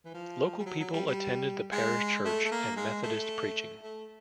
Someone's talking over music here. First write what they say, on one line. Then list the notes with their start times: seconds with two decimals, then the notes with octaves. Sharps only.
Local people attended the parish church and Methodist preaching.
0.05 E3
0.14 F3
0.59 G3
0.66 F#3
0.80 F#3
0.93 G3
1.06 G3
1.72 G#3
2.25 A3
2.45 A3
2.51 A#3
2.77 G#3
3.03 A3
3.83 A3